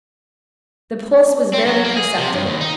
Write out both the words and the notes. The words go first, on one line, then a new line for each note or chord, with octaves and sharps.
The pulse was barely perceptible.
C4
F#3
A#3
G#4
C3
G2
D#2
D#4